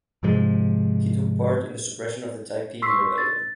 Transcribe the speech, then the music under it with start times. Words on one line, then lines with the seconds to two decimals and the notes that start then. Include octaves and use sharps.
He took part in the suppression of the Taiping Rebellion.
0.23 G#2 C3 F3 G#3
2.82 C6 C#6 E6 B6 C7
3.18 A6